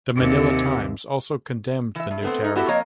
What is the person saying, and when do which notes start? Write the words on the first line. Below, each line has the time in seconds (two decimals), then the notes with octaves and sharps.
The Manila Times also condemned the new tariff.
0.15 D#2 C3
1.95 E3 E5
2.11 G2
2.23 A3 B3 C4
2.44 D#4
2.56 B3 E4 F#4 G4 A4 E5
2.68 F2 A#3 C#5 D#5